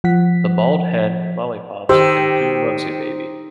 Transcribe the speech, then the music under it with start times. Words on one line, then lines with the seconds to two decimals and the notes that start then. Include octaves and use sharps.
The bald head, lollipops, and Who loves ya, baby?
0.04 F3 F#5 B6
1.89 D#3 G4 C5 E6